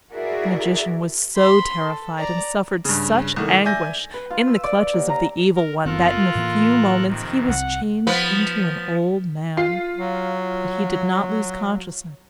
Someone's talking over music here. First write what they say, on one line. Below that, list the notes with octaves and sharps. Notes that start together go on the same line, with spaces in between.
The magician was so terrified and suffered such anguish in the clutches of the Evil One that in a few moments he was changed into an old man, but he did not lose consciousness.
E4 F#4 G#4 A#4 D5 E5
B5 C6
A4
D5 A#5
G2 C#3
C2 D#3 A3
D5 E5 G#5 G6 A#6
B4
F4
E6
D5
D#2
A#5
A#4
F#1 B3 C4 F4 A4 A#4 F#6
A2 E3 A#3
F2 C3 D#3
C2 C4 F#5
F3 B3 B4
F4 C7
F#3